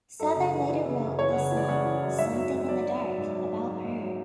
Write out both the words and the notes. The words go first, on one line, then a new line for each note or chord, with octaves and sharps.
Souther later wrote the song "Something in the Dark" about her.
F#2 A4
C#3
E3
E3
C#3
F#2
E3 C#5
F#5
C#3
E3 D5
C#3 F#5
E3
F#2
G#2 E5
F#3
G#2
F#3 D5
F#3
F#3
G#2
F#3
G#2
F#3
G#2
F#3